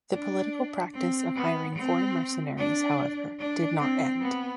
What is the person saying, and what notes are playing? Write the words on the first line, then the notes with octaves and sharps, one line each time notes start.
The political practice of hiring foreign mercenaries, however, did not end.
D4
C4
B3
C4
D4
D4
C4
B3